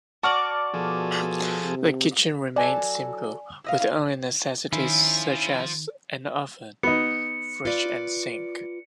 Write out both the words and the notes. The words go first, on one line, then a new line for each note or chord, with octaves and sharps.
The kitchen remained simple, with only necessities such as an oven, fridge, and sink.
F#4 D5 A5 C#6 F6
B2 F3 G#4 A4
C3
F#3 A4 D5 G#5
E4 D#5 F5
D#3 C#4 E4 F4 C5
B3 D#4 C#7
F4 B4 D5